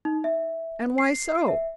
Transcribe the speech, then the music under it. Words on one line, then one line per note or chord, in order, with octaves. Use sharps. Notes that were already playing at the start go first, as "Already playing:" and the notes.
"And why so?"
D#4
E5
C7
E5